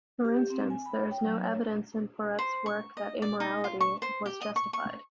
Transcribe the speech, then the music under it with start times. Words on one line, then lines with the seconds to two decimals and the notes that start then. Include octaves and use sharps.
For instance, there is no evidence in Porete's work that amorality was justified.
0.25 G4
0.50 C4
0.70 G#5
0.86 B5
1.00 C#5
1.11 G5
1.25 F#3
1.44 C#5
2.39 C5
2.66 C#6
2.97 D#5
3.22 D5
3.40 D#4
3.64 F4
3.81 C#6
4.02 C5
4.26 G4
4.41 D#5
4.56 C#6
4.73 C#6